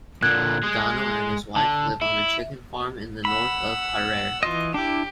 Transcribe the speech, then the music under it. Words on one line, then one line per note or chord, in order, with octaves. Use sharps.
Gono and his wife live on a chicken farm in the north of Harare.
A#2 D3 F#6 G#6
G#3 G#4
D3 A5
E4 E5
F#5 B5 E6
E3 F4 D#5
D4 E4 G4